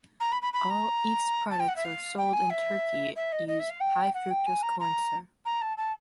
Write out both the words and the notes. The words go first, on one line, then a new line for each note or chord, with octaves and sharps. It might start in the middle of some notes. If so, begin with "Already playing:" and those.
All Efes products sold in Turkey use high fructose corn syrup.
A#5
B5
B5
B5
A#5
A5
G5
F#5
E5
F5
G5
G#5
E5
E5
D#5
D#5
E5
F5
G5
F#5
G5
G#5
A#5
A#5
A#5
A5
A5